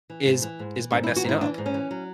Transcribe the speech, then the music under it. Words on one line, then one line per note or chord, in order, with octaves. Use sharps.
is, is by messing up,
E3
G#2
E3
G#2
E3
G#2 D4
E4
E3
F#4
G#2 E4
E3 D4
G#2
C#4
E3
F#3